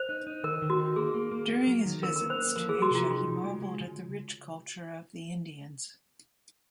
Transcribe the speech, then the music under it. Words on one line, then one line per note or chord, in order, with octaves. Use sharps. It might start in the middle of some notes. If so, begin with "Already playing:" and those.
During his visits to Asia he marvelled at the rich culture of the Indians.
Already playing: C5
D#4
D#4
D#3 A#4
D#3
F#4
D#4
A#3 G#4
A#3
A#3
A#3
F#3
D#3
C#4 A#4
A#3 A#4
C5
A#3
F3 A#4
F3 G#4
F#4
C3 F4
D#4 F#4
C#3
G#3
G#3
C#3